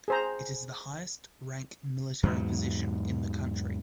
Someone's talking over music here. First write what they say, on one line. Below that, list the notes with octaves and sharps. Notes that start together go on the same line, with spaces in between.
It is the highest rank military position in the country.
G#4 C5 A#5
E2 G#2 F#3